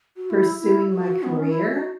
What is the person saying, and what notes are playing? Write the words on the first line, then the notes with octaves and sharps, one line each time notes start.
pursuing my career,
F#4
E4
E4
F#4
B3
C#4
E4
F#4